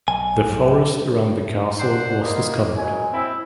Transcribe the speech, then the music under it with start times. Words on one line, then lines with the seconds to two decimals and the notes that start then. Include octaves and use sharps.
The forest around the castle was discovered.
0.08 B1 G#5
1.79 G#3 D4 C5 F#5
2.22 D#3 A#3 B3 D#4 F4
2.77 A#2 C#3 F#3 G#3 G#5
3.12 C4 E4